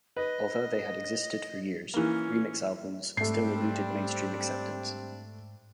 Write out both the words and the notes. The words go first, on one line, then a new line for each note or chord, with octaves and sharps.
Although they had existed for years, remix albums still eluded mainstream acceptance.
B4 D#5
E3 A#3 C#4
G#2 G3 A3 C4 D4 C7